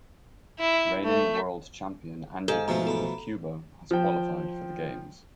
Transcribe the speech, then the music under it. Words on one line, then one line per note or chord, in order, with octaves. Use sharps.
Reigning World Champion Andy Cruz of Cuba has qualified for the Games.
E4
A3
G#2 A4 F5
B2 F3 A3 A#5
A4 A#5 B5
F3 G5